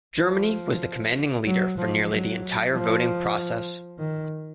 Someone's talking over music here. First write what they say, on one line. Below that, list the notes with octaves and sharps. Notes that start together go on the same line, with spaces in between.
Germany was the commanding leader for nearly the entire voting process.
F3
F#3
F3
F#3
F3
D#3